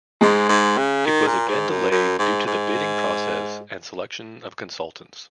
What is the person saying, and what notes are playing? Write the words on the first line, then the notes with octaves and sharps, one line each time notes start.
It was again delayed due to the bidding process and selection of consultants.
G#2 G#3
G#2
C#3
D#3
A#2
G#2
F#2
F#2
G#2
G#2